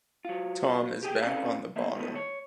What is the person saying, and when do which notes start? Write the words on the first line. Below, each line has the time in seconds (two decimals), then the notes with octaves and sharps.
Tom is back on the bottle.
0.25 F#3 F4
1.03 G4 G#4 G5
1.21 C4 C#4 A4 B4 D5 F5
1.76 E2 A#3 E5
1.96 G#2 B2 A3 D#4
2.15 C#5